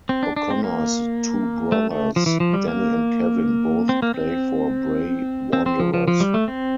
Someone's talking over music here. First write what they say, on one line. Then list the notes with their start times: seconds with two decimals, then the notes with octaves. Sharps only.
O'Connor's two brothers, Danny and Kevin both play for Bray Wanderers.
0.09 C4
0.23 D4
0.36 D4
0.50 C4
0.64 A#3
1.72 A3
1.91 A3
2.16 F3
2.26 E3
2.40 F3
2.53 G3
2.68 A#3
3.89 C4
4.02 A#3
4.14 C4
5.53 C4
5.66 C4
5.80 F3
5.94 F3
6.08 F3
6.20 G3
6.34 A3
6.48 C4